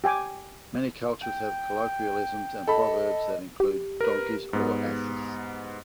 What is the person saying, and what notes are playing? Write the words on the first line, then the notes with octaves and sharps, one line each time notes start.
Many cultures have colloquialisms and proverbs that include donkeys or asses.
G4 G5 G#5 D6
G5
A4 D#5 B5
G4
A#4 B4
G#2 B3